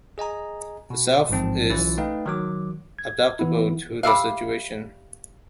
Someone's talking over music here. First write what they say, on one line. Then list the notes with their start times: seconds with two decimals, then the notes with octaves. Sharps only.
The self is adaptable to the situation.
0.18 G#4 D#5 G#5 A#5
0.90 B2
1.30 A1 G#2 F3 C4 A5
1.70 B1 E3 C#4 E4 F4 A6
1.98 A3 D#4 B4 D#5 F5 G5
2.26 D#3 F#3 D6
2.99 G#6
3.39 E3 B3 E4
4.03 G3 D5 E5 F5